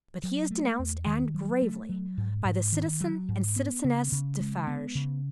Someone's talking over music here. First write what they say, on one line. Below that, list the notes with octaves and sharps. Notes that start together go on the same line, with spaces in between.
But he is denounced--and gravely--by the Citizen and Citizeness Defarge.
F#3
A3
E2
D#3
F#3
A3
F#3
G#2
G#2
D#3
F#3
G#2
B3
C#3
C#3
G#3
B3
C#3